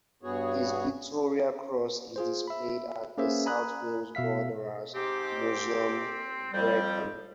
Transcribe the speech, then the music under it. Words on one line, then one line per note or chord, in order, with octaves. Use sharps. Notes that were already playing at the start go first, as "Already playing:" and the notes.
His Victoria Cross is displayed at the South Wales Borderers Museum, Brecon.
G2 B3 F#4 G#4 C#5
F4 G#4 C5
E5 B5
A#3 C#4 G#4 B4 C5 E5
G#5 A#5 B5 D#6 F#6
B2 E5 F5 B6
G#2 C4 G4
F2 G3 G5